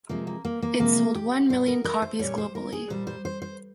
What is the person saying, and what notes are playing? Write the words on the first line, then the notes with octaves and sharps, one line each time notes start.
It sold one million copies globally.
C3 F3 G#3 A#3
A#3
A#3
A#3
C3 F3 G#3 A#3
G4
A#2 G3 C5
A#4
A#4
C5
A#2 G3 C#5
C5
A#4
G#4
A#2 G3 C5
C5
C5
C5